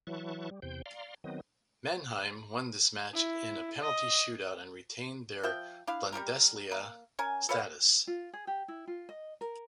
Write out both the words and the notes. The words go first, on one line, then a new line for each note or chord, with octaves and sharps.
Mannheim won this match in a penalty shootout and retained their Bundesliga status.
E3 F#3 E4 A5 C#6 F#6
G3
E2 C3 C5 G5 G6
D5 F5 A#5 C6
D#3 F#3 B3 C4 D#5
E4
D#5
F3 E5 G5
D4 E4 F5
G3 A#3 G4 A#4
A#3
C#4 A#4 G#5
A4 B4 C#5 F5
F4
G#4
G4
E4
F4
D#5
A#4